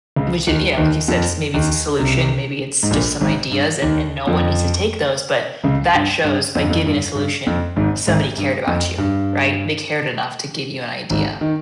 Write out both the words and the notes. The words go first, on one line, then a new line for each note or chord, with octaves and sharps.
which it you know, like you said, maybe it's a solution, maybe it's just some ideas and and no one needs to take those, but that shows by giving a solution, somebody cared about you, right? They cared enough to give you an idea.
C#2 C#3
D#2 D#3
D#2 D#3
F2 F3
D#2 D#3
C2 C3
G#2
A#1 A#2
G#1 G#2
G2
D#2 D#3
F2 F3
C#2 C#3
G2
G2
F2
G2
F2
G2
G2
F2
G#1 G#2
G#1 G#2
G2
F2
G2
G#1 G#2
D#3